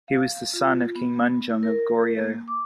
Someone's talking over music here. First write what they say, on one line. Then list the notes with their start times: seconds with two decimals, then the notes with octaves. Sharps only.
He was the son of King Munjong of Goryeo.
0.08 F5
0.53 F4
0.95 B3
1.50 E4
1.63 A#4
2.19 A#3
2.48 D6